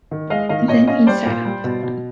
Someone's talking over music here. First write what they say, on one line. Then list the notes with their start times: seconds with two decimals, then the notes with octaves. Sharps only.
Then he sat up.
0.11 D#3
0.30 G#3 D#5 F5
0.49 D#3 D#5 F5
0.68 A#2 C#5 D#5
0.87 C#4 D#5 F5
1.07 G3 C5 D5
1.26 A#2
1.45 G3
1.64 B2
1.83 B2